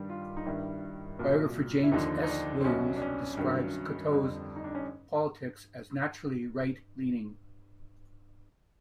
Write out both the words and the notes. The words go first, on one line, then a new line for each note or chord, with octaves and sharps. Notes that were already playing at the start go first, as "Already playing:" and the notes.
Biographer James S. Williams describes Cocteau's politics as naturally Right-leaning.
Already playing: G2 D#3 G3 G4
F4
D#4
G2 D#3 G3 E4
C2 A#2 F#3
E4
D#2 D3 F3 D#4
D#4
D4
C4
C2 B2 F#3 C#4
D4
C#4
G2 D#3 F#3
F2 D3 G3
D#4
D4
C#4